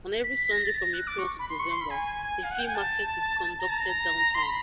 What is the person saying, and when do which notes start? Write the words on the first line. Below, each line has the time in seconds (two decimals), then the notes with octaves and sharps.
On every Sunday from April to December, a flea market is conducted downtown.
0.24 B6
0.38 B6
0.51 A#6
0.65 A6
0.80 A#6
0.93 F#6
1.07 D6
1.18 C#6
1.39 B5
1.49 C6
1.60 C#6
1.70 C6
1.81 B5
1.90 G#5
2.43 F5
2.51 F#5
2.59 G5
2.67 G#5
2.75 A5
3.59 A#5
3.69 A5
3.78 A#5
4.35 C6
4.42 B5